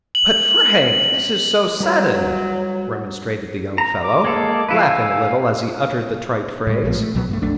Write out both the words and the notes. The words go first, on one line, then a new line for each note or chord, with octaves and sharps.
"But, Frank, this is so--sudden," remonstrated the young fellow, laughing a little as he uttered the trite phrase.
F#7
F#3 G3 B4 A#5
A#5
D6
G#3 A#3 A4
F3 E4 B4 F5
G#5 E6
A2 G#3
A#1 A2 F3
A3
C2 B2 F#3 B3
G2 F3 A3
B1 F2 A3 D4